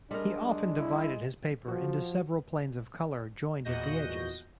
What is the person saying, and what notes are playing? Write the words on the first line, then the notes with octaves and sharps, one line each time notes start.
He often divided his paper into several planes of color joined at the edges.
G3 G#3 D4 A#4
E4
F3 F#4
E2 A#2 F#4 D#5 G6 A#6